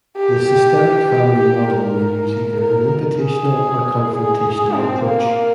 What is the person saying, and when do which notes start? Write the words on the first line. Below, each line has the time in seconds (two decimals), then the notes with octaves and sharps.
The Systemic Family Model may use either an invitational or confrontational approach.
0.17 G4
1.39 G4
1.69 A#4
2.60 A#4
3.22 G#4
4.13 G#4
4.75 C4
5.05 A#3